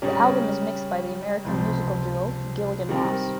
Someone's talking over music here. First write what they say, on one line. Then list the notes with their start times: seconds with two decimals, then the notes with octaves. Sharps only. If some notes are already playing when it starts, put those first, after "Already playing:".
The album is mixed by the American musical duo Gilligan Moss.
0.02 C#3 G3 C#4 G4 A#4
1.45 C#2 C3 F3
2.89 D#3 G3 C4 G4 A#4